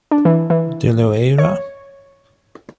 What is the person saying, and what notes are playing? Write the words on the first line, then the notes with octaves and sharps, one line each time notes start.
De Loera.
D4
E3
E3
C#5